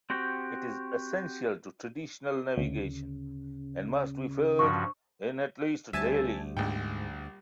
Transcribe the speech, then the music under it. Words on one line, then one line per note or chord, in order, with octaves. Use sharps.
It is essential to traditional navigation, and must be filled in at least daily.
C4 F#4 G4
D2 C#3
G2 F3 F#4 C#6
D2 G3 C5 E5 G#5 A5
A#1 G#2 G5